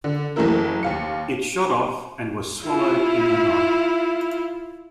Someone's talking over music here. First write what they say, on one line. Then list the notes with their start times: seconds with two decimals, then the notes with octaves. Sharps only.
It shot off and was swallowed in the night.
0.04 D3
0.36 F#1 E3 A3 A#3 E4 A#4
0.83 D#2 F5 C#7
2.63 E4 F4